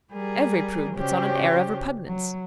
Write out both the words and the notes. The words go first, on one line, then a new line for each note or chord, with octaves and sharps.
Every prude puts on an air of repugnance.
G3 G#4 A#4
C#3 C#4 D4 F#4 G4 C5
F#3